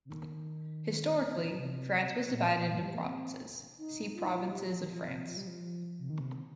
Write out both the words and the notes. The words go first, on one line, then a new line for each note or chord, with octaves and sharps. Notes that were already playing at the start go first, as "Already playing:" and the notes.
Historically, France was divided into provinces; see Provinces of France.
C3
D#3
C3
A#2
A#2
G3
A#3
C4
D#4
F4
D#4
F4
G4
F3
D#3
F3
C3
F3
G3
F3
C3
D#3
C3